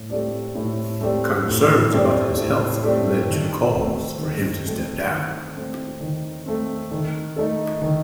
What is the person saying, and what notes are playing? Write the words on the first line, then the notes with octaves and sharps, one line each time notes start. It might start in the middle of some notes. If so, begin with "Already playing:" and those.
Concerns about his health led to calls for him to step down.
Already playing: A2
A3 C4 G4 D5
A2
A3 C4 G4 D5
A2
A3 C4 G4 D5
A2
A3 C4 G4 D5
D#3
A3 C4
D#3
A3 C4
D#3
A3 C4
D#3
A3 C4
D#3
A3 D#4 A4
D#3